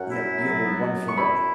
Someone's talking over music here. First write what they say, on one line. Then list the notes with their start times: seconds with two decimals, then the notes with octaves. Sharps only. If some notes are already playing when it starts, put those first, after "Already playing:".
Yep, you have a wonderful day.
Already playing: F#2 F#5
0.11 E4
0.37 F#3
0.64 B3
0.91 F#2
1.08 C#6
1.17 E4 B5